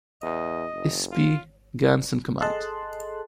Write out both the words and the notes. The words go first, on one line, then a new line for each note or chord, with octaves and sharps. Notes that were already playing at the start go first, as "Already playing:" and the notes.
S. P. Gantz in command.
E2 D#5
F#1
F4
G#4 A4 D#5 A5 C6 F#6